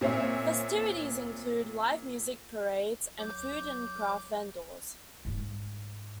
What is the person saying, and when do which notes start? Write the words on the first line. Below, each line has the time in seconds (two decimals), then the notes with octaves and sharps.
Festivities include live music, parades, and food and craft vendors.
0.01 A#2 C4 C#4 E5
3.19 F#3 D6 G6
5.25 G#2 A3